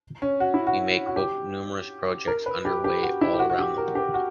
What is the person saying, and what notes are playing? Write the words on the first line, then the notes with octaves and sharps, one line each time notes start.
We may quote numerous projects under way all around the world.
C#4
F#4
E4
F#4
F#4
G4
A#4
B4
G4
G4
F#4
E4
G4
F#4
F#4
G4
A#4
G4
F#4